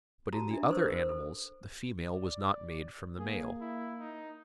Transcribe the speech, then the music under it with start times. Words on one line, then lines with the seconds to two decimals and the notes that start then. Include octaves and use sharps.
But in the other animals the female was not made from the male.
0.33 F#4 G4 A5 A#5
0.51 D4 E5
0.69 A4 B4 C5 C#6 E6
0.87 A#4 C5
1.09 A4
2.10 D5
3.19 A#3 G#4
3.61 E4
3.99 D#4